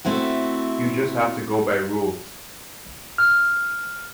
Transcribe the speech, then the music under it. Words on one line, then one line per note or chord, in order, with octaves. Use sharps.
You just have to go by rules.
A3 C4 E4 F#4
F6